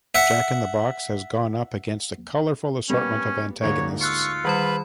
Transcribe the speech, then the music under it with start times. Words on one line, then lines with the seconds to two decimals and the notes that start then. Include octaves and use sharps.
Jack-in-the-Box has gone up against a colorful assortment of antagonists.
0.15 E5 F#5
2.90 G3 A#3 B3 C#4
3.62 D2 G#2 A#3 C#5
4.01 F4 C#6 E6 F#6 C#7
4.45 D#3 G3 B4 B5